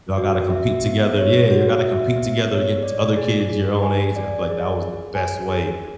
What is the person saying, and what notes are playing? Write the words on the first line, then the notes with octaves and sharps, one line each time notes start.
y'all gotta compete together yeah, you gotta compete together against other kids your own age, like I feel like that was the best way,
F#4
E5
B3
C#5
F#4
E5
B3
C#5
D5
G#4
G#4
G#5
D5
G#4
G#4
G#5
G#4